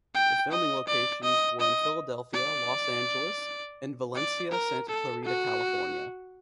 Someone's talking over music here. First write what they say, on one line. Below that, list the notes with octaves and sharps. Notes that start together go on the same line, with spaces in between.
The filming locations were in Philadelphia, Los Angeles, and Valencia, Santa Clarita, California.
G5
D#5
D5
D#5
D#5
D5
D5
A#4
A4
F#4